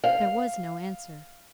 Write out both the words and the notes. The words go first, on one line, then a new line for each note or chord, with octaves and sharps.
There was no answer.
F5